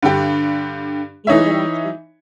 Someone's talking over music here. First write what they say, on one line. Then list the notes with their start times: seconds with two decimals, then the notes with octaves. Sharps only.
you know, that actually
0.02 G2 D3 G4
1.27 E3 D#4 C#5 E5